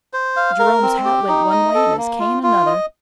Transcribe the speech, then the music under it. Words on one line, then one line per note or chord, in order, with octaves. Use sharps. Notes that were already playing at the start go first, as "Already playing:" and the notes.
Jerome's hat went one way and his cane another.
C5
F5
A#4
C4
G4
D#4
D#5
A4
A#3
F4
F4
D#5